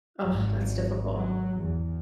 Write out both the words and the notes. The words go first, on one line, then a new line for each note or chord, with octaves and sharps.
Ugh, that's difficult.
G#1
F#3
E2